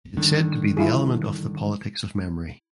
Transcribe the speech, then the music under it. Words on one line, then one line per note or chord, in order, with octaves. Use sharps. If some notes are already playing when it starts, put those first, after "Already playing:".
It is said to be the element of the politics of memory.
G2 D3 D#3
E4 F4 G#4